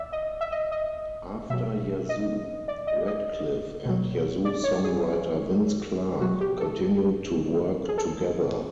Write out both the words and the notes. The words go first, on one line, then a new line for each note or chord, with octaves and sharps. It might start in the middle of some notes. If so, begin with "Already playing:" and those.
After Yazoo, Radcliffe and Yazoo-songwriter Vince Clarke continued to work together.
Already playing: D5 E5
D#5
E5
D#5
D#5
B2 F#3 E5
D#5
D5
D#5
D#5
B2 F#3
D5
C#5
G#4
B2 F#3 F#4
G4
A4
G#4
A4